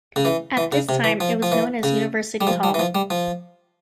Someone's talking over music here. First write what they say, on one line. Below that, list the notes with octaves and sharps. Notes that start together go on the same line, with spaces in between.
At this time it was known as University Hall.
C#3
E3
E3
C#3
C3
E3
F3
F3
E3
C#3
G3
F3
G3
E3
F3
G3
F3